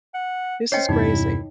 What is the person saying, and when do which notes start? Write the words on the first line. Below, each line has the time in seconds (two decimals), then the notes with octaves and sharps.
This is crazy.
0.14 F#5
0.72 C#4 C5 C#5 D#5 G5 G#5 C7
0.89 E2 G2 C3 D#4 E4